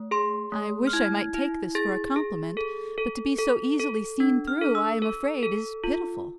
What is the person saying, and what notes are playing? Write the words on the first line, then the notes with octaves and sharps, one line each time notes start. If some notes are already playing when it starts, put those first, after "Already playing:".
"I wish I might take this for a compliment; but to be so easily seen through I am afraid is pitiful."
Already playing: A3
G#4 C6
A3
F6
E4 G#6
E4
G#4 A6
G#4
A4
A4
A4
A4
D4
F6
A4
E6
A4
A4
F4